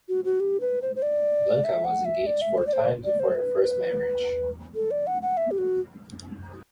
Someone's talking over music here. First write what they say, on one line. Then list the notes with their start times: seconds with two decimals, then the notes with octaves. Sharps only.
Blanca was engaged four times before her first marriage.
0.09 F#4
0.24 F#4
0.40 G4
0.61 B4
0.82 C5
0.96 C5
1.02 D5
1.64 E5
1.85 F#5
2.05 E5
2.26 D5
2.42 E5
2.58 C5
2.67 D5
2.73 C5
3.05 D5
3.20 C5
3.35 B4
4.75 A4
4.91 D5
5.07 F#5
5.22 F#5
5.37 E5
5.51 G4
5.58 F#4